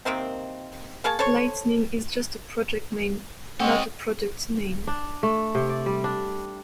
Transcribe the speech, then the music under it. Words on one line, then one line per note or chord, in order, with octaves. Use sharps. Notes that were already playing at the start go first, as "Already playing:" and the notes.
Lightning is just a project name, not a product name.
C3 D#3 A#3 C4
A#3 G#4 C#5 A5
A4 C5 C#5
G#3 C4 C#5 D#5 F#5
D4
A3
C3
D5
G3
D4